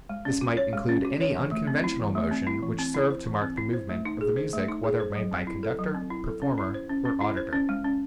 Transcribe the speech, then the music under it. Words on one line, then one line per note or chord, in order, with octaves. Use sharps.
This might include any unconventional motion which served to mark the movement of the music, whether made by conductor, performer or auditor.
G#3
C#4
F#4
C#5
G#3
C#4
F#4
C#5
E3
A3
C4
E4
E3
A3
C4
E4
E3
C4
E4
C5
E3
C4
E4
C5
A3
D#4
G#4
C5
A3
D#4
G#4
C5
F#3
C4
E4
A4
F#3
C4
E4
A4
C#4
E4
C5
C#4
C#4
E4
C5
C#4
G#3
C#4